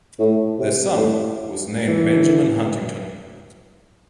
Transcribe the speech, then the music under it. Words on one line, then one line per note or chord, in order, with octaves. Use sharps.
Their son was named Benjamin Huntington.
A2
C3
A2
E3